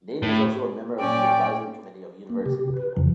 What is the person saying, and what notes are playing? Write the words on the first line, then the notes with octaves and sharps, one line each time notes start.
Nadin is also a member of the Advisory Committee of University of the People.
A2
A#2 C#4 D5 G5
A#3
C3 G4
B4
F2 C#3 E3 F3